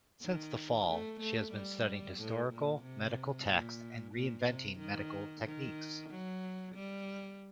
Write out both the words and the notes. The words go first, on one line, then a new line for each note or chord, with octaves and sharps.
Since The Fall, she has been studying historical medical texts and re-inventing medical techniques.
D#3
A3
A3
G3
A2
A#2
C3
A#2
A#2
C3
D#3
D#3
F#3
G3